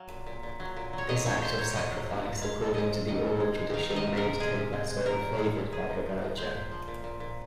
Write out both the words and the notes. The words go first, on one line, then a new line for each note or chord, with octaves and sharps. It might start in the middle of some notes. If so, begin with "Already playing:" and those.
This act of sacrifice, according to the oral tradition made Tegbessou favored by Agaja.
Already playing: F#3 F5
A#2
A#2
A#2
F#3
A#2
F#3
C#5
A#2 D#5
A#2 C#5
A#2 C5
F#3 C#5
A#2 D#5
F#3
F#3
A#2
G#3 F5
G#3
G#3 D#5
C3
D#3 D#5
C3
G#3
G#3
D#3 F5
D#3
D#5
C3
A#4
C3
G#3 G#4
C3
G#3
G#3
A#2 A#4
A#2
G#3
A#2
A#2 G#4
F3
F3
F3
G#3 C5
A#2
F3
A#2
A#2
A#2